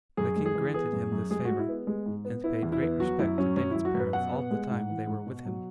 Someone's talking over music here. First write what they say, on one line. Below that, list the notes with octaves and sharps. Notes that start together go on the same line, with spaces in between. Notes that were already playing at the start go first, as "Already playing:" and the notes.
The king granted him this favor, and paid great respect to David's parents all the time they were with him.
F#2 G#4
G#3
G#4
E3
B3 G#4
F#2
F#2
G#3 G#4
G#3 F#4
E4
B3
G#3
G#2
B3
B3 E4
E2
E4
B3
F#3 F#4
F#2 E4
F#3 C#4
F#2 C#4
F#2 E4
F#4
F#2
B4
B2 F#5
B3
G#3
G#2
E3
G#2
B2
F#3